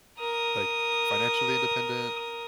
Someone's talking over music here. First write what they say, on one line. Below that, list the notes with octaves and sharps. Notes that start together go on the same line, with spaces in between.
like, financially independent.
A#4 D#6